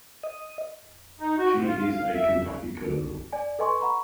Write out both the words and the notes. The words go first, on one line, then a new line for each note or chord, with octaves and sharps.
She is a Kentucky Colonel.
D#5
D#4
F#4
C3
F4
F5
F5
E5
C#3
D5 G#5
A4 B4 D#5 G#5 C6 C#6
F#5 A#5 B5 C#6